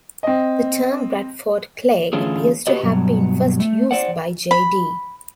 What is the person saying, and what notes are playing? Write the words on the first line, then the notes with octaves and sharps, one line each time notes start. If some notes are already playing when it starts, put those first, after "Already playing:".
The term "Bradford Clay" appears to have been first used by J. de.
C4 D#5
D3 E3 A3 C#4 F4 G#4
F#4 G4 B4 D#5
G2 B2 F#3
A3
C5 D5 F#5
B5